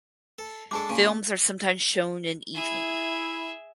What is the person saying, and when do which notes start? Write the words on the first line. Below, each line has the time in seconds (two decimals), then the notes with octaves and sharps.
Films are sometimes shown in evening.
0.39 A4
0.71 G#3 D4 G#4 A4 A5 D6
0.89 A#2 C#3 C#4
2.55 E4 G#4 E5